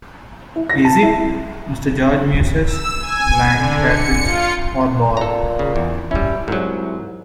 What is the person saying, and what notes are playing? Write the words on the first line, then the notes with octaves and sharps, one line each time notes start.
"Is it," Mr. George muses, "blank cartridge or ball?"
E4
A#6
A5
E4
E6
G#5
D3
C#7
F4
A#2 A4 A#5
C#3
E2
G3 C#4 E4
C2 G#2 F#3